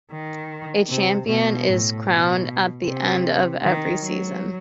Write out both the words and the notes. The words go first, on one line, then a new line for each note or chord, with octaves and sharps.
A champion is crowned at the end of every season.
D#3
C3
B2
A2
B2
C3
D#3
F#3